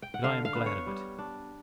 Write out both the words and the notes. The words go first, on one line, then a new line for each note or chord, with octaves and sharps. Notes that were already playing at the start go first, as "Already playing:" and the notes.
But I am glad of it.
G5
F#5
D3 F5
F5
B3
C#5
G3
D4